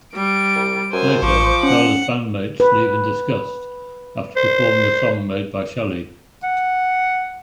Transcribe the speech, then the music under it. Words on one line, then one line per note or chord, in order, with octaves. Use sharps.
Later, Skyler's bandmates leave in disgust after performing a song made by Shelley.
G3 D7
C2
F#2 C5 G#5
A1 F3 C#6 D6
C#4 F#5
B4
C5
F#5